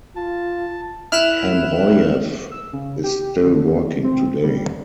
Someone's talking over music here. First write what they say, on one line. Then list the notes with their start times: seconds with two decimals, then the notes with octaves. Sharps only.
Hamroyev is still working today.
0.16 F4 A5
1.12 E4 F6 F#6 E7
2.52 E6
2.73 C#3
3.04 G4
3.44 D3
4.04 C4
4.43 G3